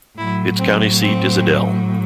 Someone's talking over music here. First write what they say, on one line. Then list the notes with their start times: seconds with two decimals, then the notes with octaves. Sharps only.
Its county seat is Adel.
0.17 A2 F#3 E4
0.58 C4
1.00 C4